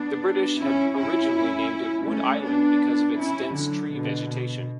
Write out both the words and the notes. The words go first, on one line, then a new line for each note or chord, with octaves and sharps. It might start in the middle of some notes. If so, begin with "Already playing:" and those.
The British had originally named it Wood Island because of its dense tree vegetation.
Already playing: B3 D4
C#4 E4
C#4 E4
A3 C#4
B3 D4
C#4 E4
D3 F#3
B2 D3
B2